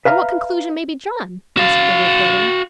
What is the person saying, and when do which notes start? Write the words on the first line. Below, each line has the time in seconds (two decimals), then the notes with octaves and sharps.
"Then what conclusion may be drawn?" asked the reporter.
0.05 B4 E5 F5 A#5
1.57 F#4 F5